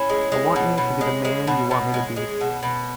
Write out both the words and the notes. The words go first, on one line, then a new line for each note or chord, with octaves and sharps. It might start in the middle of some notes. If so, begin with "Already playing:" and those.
I want you to be the man you want me to be.
Already playing: C#4 E4
G#3
G#3
B2
B2
G#3
G#3
B2
B2
G#3
G#3
B2
B2